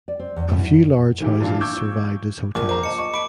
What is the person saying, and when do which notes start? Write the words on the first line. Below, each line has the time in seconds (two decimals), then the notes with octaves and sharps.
A few large houses survived as hotels.
0.08 D5
0.19 C4
0.36 E2
0.48 F#2
0.61 E4
1.20 D#3 E3 E4 G4
1.40 G2 A#2 E3 F3 D4 F4
1.60 C#6 D6 E6 G6 G#6
2.55 A#1 A#4 D6
2.69 C5 A#5 D6
2.83 D#5 A5 C#7
2.98 D#5 C#6
3.14 B5 D6 D7